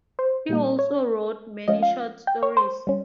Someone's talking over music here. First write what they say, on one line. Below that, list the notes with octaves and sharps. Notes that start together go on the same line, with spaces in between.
He also wrote many short stories.
C5
A#2 G3 A#3
C#5
F3 G#3 C#4 F4 D#5
F5
G5
C#5
C5
G3 C#4